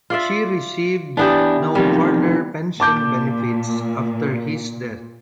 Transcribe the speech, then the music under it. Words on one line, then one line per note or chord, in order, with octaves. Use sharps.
She received no further pension benefits after his death.
F4 D5 E5
E3 B3 D4 E4 G4
F2 C3 D#3 G3
A#2 A5 D6 G6